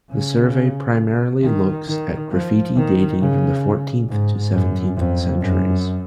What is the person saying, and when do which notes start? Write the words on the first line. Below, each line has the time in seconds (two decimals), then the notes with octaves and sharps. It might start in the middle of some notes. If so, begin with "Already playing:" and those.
The survey primarily looks at graffiti dating from the fourteenth to seventeenth centuries.
0.11 C#3
1.43 D#3
1.87 D#3
2.31 F3
2.76 D#3
3.20 C#3
4.08 G#2
4.52 F#2
4.97 F2
5.41 F#2